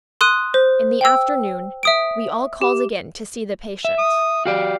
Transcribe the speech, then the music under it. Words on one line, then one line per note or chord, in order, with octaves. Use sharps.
In the afternoon we all called again to see the patient.
C6 D#6 F#6 D#7
C5
G5 E6
E5 D#6 D7
G4
E5
D#6
F#4 G4 D5 F5